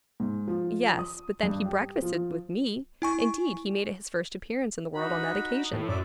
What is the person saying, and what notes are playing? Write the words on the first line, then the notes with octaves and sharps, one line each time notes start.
"Yes; but then he breakfasted with me--indeed, he made his first appearance in the world on that occasion."
G#2
F3
D#6
G2
G4
F3
E4 G#5 C#6
D#4 F#4 B5
A2
F#2 D5 E5 D6